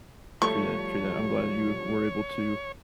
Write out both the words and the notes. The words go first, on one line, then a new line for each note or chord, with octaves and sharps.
True that. True that. I'm glad you were able to
F3 G3 A3 C#5 C#6